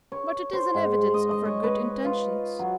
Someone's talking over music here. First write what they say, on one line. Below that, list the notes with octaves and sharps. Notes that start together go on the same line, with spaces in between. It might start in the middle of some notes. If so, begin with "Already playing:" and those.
But it is an evidence of her good intentions.
C#5
C5
G#2
D#5
D#5
C#5
B4
F4
F#3